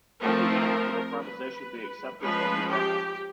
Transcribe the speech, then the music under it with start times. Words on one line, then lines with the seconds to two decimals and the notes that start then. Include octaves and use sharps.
Only then can the proposition be accepted or rejected.
0.21 F3 A3 C4 A#4
1.21 B4
2.20 F3 G#3 C#4 B4
2.70 G4